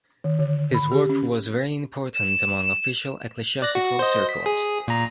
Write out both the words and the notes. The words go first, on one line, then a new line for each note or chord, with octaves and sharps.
His work was very important among official ecclesiastical circles.
D#3
D3
B5
G4
C#4
E7
D5 F#6 A#6
F#4
C5 D#5
B6
G#4
A#2 A#5